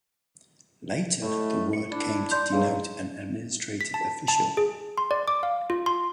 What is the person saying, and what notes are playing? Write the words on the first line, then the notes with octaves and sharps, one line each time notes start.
Later the word came to denote an administrative official.
A2 G#3 A3
C#7
D4 E4
D5 C6 G6
E2 B2 F#3 D#4 G#4 F5
B6
A5
A5
G#4
C6
D5
D6
F5
F4
C6